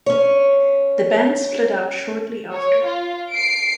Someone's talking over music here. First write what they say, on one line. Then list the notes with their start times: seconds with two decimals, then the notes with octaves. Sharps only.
The band split up shortly after.
0.06 C#4 C#5
2.51 C#5
2.84 F4
3.31 C7 D7